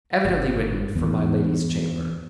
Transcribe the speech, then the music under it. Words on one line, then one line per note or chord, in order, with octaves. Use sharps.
Evidently written for my lady's chamber.
G1
E2